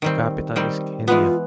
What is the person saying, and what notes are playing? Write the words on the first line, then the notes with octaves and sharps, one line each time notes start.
The capital is Kindia.
D#3 G3 C4
D#3 G3 C4
E3 G#3 B3 F4